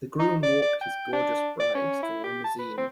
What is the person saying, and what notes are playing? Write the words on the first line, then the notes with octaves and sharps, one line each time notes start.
The groom walked his gorgeous bride to the limousine.
D#4
D5
D5
G5
D4
D5
C#4
E4
G4
A5
B4
C4